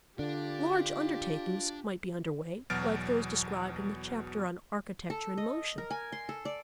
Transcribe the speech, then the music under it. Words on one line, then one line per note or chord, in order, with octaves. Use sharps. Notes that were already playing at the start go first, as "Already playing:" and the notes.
Large undertakings might be under way, like those described in the chapter on Architecture-in-Motion.
D3 D4 F4 G4
E2 B2 F#3 F6 A6 D7
A4
D#5
A#4
G#5
C6
A4
D5